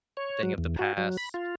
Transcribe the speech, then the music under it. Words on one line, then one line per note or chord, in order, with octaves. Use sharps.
thing of the past.
C#5
F#3
E2
F#4
F#3
B5
F4